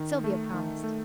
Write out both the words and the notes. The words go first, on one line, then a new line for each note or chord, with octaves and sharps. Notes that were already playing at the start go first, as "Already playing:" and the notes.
Sylvia promised.
Already playing: D#3
A3
D#3
A3